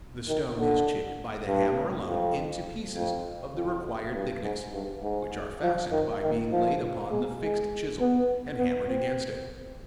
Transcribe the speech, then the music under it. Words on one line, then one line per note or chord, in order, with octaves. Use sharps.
The stone is chipped by the hammer alone into pieces of the required thickness, which are fashioned by being laid upon the fixed chisel, and hammered against it.
D#3
D3
G2
F2
F2
F2
G2
G#2
G2
G#2
F3
D#3
D#3
F3
G#3
G#3
B3
B3
C4